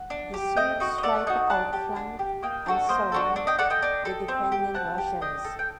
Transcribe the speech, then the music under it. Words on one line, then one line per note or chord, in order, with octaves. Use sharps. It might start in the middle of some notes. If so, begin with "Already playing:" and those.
The Swedes tried to outflank and surround the defending Russians.
Already playing: F#5
D4
G4
A3 D#5 G5
D#4 F#4
D#5
A3 D5 F#5
D#4 F#4
D4 F#5 A5
G4
D4
G4
A#3 D#5 G5
D4 F#4 A4
A#3 C5 D#5
D4 F#4 A4
D4
D#5 G5
A4 D5 F#5
D#5 G5
D4
A4
C4
G4
C4 F#5 A5
G4
D4 D#5 G5
A4
G5